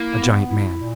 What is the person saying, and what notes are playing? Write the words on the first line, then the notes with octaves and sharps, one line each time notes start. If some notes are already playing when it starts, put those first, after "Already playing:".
A giant man.
Already playing: A#3 E4
B3
E4
A#2